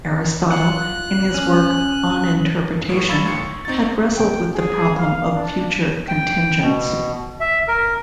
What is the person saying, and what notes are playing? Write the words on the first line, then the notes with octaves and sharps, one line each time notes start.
Aristotle, in his work "On Interpretation", had wrestled with the problem of future contingents.
F4 F#5 F#6
C#4
A2 E3 C#6
F5 B5 C#6 E6 G#6 A6
D#2 A2 C6 C#6 A6 C#7
C#6
C4 D#4 C#6 A6
G5
G#4
F5
D4
G5
B2
E5
A#4